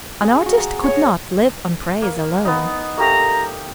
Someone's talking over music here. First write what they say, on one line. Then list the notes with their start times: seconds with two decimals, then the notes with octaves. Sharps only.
An artist could not live on praise alone.
0.21 G#4
0.46 F#4
0.58 A#5
0.83 C#5
2.02 A#3
2.45 B3 D#4
2.97 A3 A#3 G4 A#5